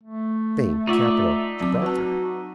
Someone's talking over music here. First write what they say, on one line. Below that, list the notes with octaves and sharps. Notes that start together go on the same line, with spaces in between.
"Spain--capital, Gibraltar."
A3
D#4 F4 D5 E5 F#5
F#3 C4 D6
F#4 B4 A5